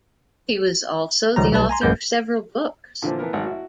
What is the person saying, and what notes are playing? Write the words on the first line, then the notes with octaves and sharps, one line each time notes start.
He was also the author of several books.
C#2 D#3 F3 G3 A#5
B1 G3 A3 B4 A5
G#5 A#5 C6
A1 F#2 G#3 B4 G6
A#2 D3 E3 F3
E3 A3 B3 A#4
G#1 D#3 F#3 F#5
E4 F#4